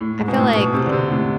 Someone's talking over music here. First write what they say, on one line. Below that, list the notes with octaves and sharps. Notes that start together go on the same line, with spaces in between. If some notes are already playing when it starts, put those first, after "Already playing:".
I feel, like, eh
A2
G#2
B2
A2
B2
C3
D3
C3
A2